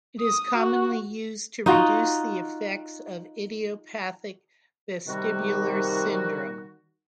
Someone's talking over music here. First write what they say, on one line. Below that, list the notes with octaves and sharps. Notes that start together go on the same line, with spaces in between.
It is commonly used to reduce the effects of idiopathic vestibular syndrome.
D#6
F#4
D#4 F4 F#4
C3 D#3 G3 F#4